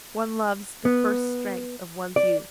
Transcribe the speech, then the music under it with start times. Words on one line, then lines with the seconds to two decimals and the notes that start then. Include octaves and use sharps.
One loves the first strength of one's youth.
0.85 B3
2.16 D5